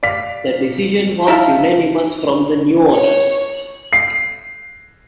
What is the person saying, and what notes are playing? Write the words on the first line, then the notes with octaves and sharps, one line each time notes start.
The decision was unanimous from the new owners.
D5 F5 B6
D#4 E4 A4 F5
C#5
C7